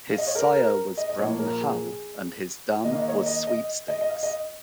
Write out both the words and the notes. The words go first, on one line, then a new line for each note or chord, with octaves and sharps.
His sire was Brown Hal and his dam was Sweepstakes.
F5
D#5
C#5
A#4
A#4
D#5
D#5
A#2 F3 A#3 C#5
A#4
G#4
D#3 A#3 D#5
F5
D#5
C#5
D#5
D#5
D#5
D#5
D#5
F5
D#5